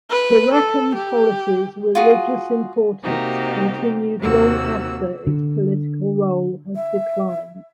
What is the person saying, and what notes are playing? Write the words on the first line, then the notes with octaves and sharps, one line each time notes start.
Hierakonpolis’s religious importance continued long after its political role had declined.
B4
A4
G4
F4 F#4 G#4
C3 A#3 D#4 F#4 G4
D#2 C3 A#3 F#4 E6
D3
E5